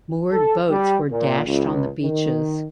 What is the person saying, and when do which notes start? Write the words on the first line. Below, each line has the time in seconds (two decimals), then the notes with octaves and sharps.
Moored boats were dashed on the beaches.
0.31 A4
0.69 G3
1.10 A#2
1.46 C#2
2.02 D#3